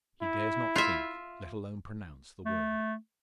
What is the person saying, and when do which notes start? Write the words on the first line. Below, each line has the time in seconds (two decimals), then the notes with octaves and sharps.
He dares not think, let alone pronounce, the word.
0.22 E4
0.76 F4 E5
2.45 A3